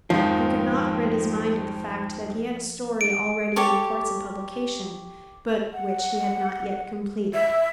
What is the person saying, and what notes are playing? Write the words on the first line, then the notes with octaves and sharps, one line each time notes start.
He could not rid his mind of the fact that he had a story already in the course of publication, but which he had not yet completed.
F2 G#2 D#3 F3
D7
G4 A4 C#5 D6
F#5
E5